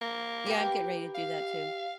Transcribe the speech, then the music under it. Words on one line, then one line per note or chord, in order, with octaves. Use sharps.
Yeah, I'm getting ready to do that too.
A#3
G4 B4 G5
F5